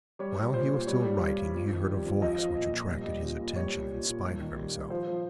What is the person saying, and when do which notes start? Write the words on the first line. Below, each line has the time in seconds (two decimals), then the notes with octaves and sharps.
While he was still writing he heard a voice which attracted his attention in spite of himself.
0.19 G3 C#5
0.37 G3
0.53 A#2 C5
0.71 A#2
0.87 G3 C#5
1.04 G3
1.20 G2
1.37 G2
1.54 F2
1.71 D#3
1.87 G3
2.05 F2
2.21 F3 D#5
2.39 F3
2.56 A#2
2.73 A#2
2.88 G3
3.05 G3
3.22 A#2
3.39 A#2
3.56 G3 C#5
3.72 G3
3.90 A#2
4.06 A#2
4.24 G2
4.40 D#3
4.56 G3
4.74 G2
4.90 F3 C5
5.07 F3